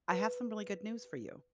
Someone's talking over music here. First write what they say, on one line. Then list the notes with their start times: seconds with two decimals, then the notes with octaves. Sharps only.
I have some really good news for you."
0.11 B4